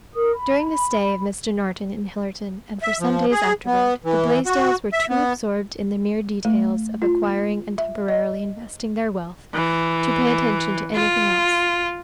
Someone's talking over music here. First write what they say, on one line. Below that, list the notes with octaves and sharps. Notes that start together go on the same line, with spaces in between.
During the stay of Mr. Norton in Hillerton, and for some days afterward, the Blaisdells were too absorbed in the mere details of acquiring and temporarily investing their wealth to pay attention to anything else.
A#4 D#6
B5
E5
F3
G#4
B3
E3
F#4
E5
B3
A3
F4
E5
D#5
E3
F4